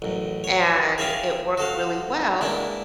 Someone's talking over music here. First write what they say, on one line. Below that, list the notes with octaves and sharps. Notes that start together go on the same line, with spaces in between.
and it worked really well.
A1 F#2
C#5
G#4 C#5 E5 F5 G5
F#4 A4 F5
G#3 A#3 B3 D4 E4